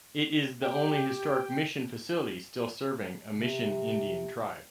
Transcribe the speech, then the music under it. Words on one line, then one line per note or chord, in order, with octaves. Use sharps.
It is the only historic mission facility still serving a Mission Indian tribe.
G4 G5
C3